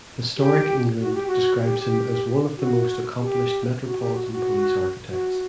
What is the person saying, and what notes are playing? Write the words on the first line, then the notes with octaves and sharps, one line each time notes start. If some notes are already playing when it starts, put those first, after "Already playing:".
Historic England describes him as "one of the most accomplished Metropolitan Police architects".
G4
F#4
G4
F#4
G4
G4
F#4
G4
F#4
G4
F#4
F#4
F#4